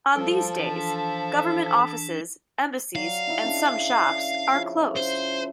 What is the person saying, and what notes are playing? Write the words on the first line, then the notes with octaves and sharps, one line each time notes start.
On these days, government offices, embassies and some shops, are closed.
F3 G3 A4
E3 D4
F#3 D5 F5
D#4 E4 D#5
C#3 D4 C6
C#3 F3 E4
C5